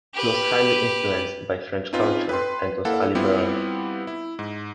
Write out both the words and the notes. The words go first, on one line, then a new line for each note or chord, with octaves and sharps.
He was highly influenced by French culture and was a liberal.
G4 B4
C4 C#4 D#4 F4 B4
B4 G5 C6
A#3 E4 A4 F5 F#5
G3 B3 C4 E4 F4 G4
E4
G#2